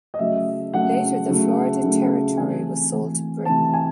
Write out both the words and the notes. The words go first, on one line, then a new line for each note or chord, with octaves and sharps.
Later, the Florida territory was sold to Britain.
D#5
C#3 F#3 A3 E5
C#3 F#3 A3 F#5
C#3 F#3 A3
C#3 F#3 A3
C3 E3 A3 G#5
C3 E3 A3
C3 E3 A3 A5
G#5